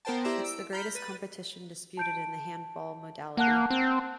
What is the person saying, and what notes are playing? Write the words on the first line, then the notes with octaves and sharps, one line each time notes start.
It’s the greatest competition disputed in the handball modality.
B3 A#4 C5 G5 A5
E4 G4 C5 D5 A#5 E6
E6 D7
A#5 B5 F6 G6 B6
B4 B5 A6 D#7
A5 G6 D7
A#3 F#5 A5 F#6
C4